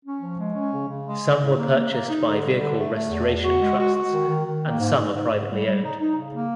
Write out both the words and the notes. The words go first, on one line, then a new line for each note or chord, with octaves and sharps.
Some were purchased by vehicle restoration trusts and some are privately owned.
C#4
F3
G#3
C#4
C#3
C#3
G#3
C#3
A2
A#3
A#3
A#3
D#4
D3
G3
D3
A3
A3
E2
E2
F#4
G#3
F#4
F#4
D#3
D#3
D#3
A#3
G#2
G#2
G#2
G#2
G3
G3
D#4
D#4
C#3
A#3